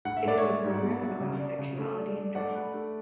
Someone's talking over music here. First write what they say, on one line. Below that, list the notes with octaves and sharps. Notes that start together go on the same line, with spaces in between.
It is a program about sexuality and drugs.
A2 F#5
E5
A2 D5
C#5 E5
G#3
G#2
B3
F#3
C#3
D4
C#3
A3
D4
D4
A3 D5 F#5
B4
A3